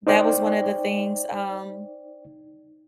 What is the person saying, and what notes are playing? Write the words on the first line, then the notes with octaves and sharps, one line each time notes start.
that was one of the things, um,
D#4 C5 D5 G5